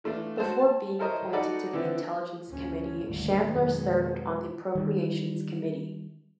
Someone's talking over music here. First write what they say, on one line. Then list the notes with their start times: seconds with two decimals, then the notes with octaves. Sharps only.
Before being appointed to the Intelligence Committee, Chandler served on the Appropriations Committee.
0.04 E3 A3 D4 F4
0.38 F#4 C5 A5
0.59 A5
0.99 E4 A4 A#4 C5 C#5 D#5
1.33 D#4 F#4 A4 D5 F#5 B5
1.73 D3 E3 B3 C4 E4
2.48 D2 C#3 F3 C#4
3.05 G1 D#2 B2 D3 A3
3.41 F2 B2 D#3 F#3 G#3 B3
4.75 D#3 G3